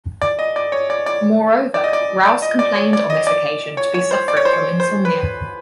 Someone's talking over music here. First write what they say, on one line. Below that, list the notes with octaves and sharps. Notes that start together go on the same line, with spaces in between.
Moreover, Rouse complained on this occasion to be suffering from insomnia.
D5
D#5
D5
C#5
D5
D5
D5
D#5
D5
D5
D#5
D5
C#5
D5
D#5
D5
C#5
C#5
C5
D5
C#5
C5
C#5
C5
B4